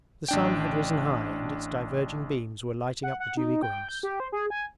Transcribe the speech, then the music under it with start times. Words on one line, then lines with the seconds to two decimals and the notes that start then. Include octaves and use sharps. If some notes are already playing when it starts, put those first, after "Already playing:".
The sun had risen high and its diverging beams were lighting up the dewy grass.
0.29 A1 D4 G5
3.03 F#5
3.20 F#5
3.37 D#4
3.63 G5
3.89 G6
4.03 G4
4.20 C5
4.32 G#4
4.50 G#5